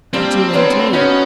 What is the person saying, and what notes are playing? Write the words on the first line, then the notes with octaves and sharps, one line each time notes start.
"I do, indeed."
G3 A#3 C4 D4 F4
D3 F#3 B3 D4 F4
F#3 B3 C#4 D#4 F#4